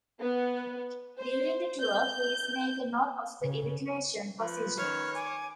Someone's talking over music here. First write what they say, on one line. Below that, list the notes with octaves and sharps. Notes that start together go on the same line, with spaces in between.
During the tour, please make a note of the evacuation procedure.
B3
C5
G6
C#3
F3 B4
D#3 C#4 C#5 F6
G#5 D6